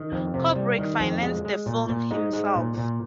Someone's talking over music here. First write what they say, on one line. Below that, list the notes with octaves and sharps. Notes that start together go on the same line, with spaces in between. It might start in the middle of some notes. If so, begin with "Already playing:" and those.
Kubrick financed the film himself.
Already playing: D#3
F2
C3
G3
D#3
F2
G#3
G#3
A#2
A#2
G#3 D#4 D#5
G#3
A#2
A#2